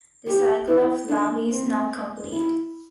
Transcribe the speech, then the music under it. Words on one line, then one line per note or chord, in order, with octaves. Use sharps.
The cycle of love is now complete.
G4
E4
D4
C4
E4